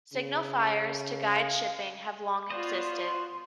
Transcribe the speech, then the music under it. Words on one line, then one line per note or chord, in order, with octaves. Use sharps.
Signal fires to guide shipping have long existed.
C#3
F5
B3 F4 F#4 C5 D5 D#5
C6